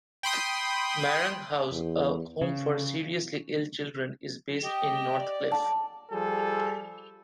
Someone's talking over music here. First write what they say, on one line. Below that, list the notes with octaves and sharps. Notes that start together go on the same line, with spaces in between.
Marang House, a home for seriously ill children, is based in Northcliff.
G5 B5 C6 D#6
E2
C#3
G4 D#5 G5
D5
A5
F3 G3 G#4 A4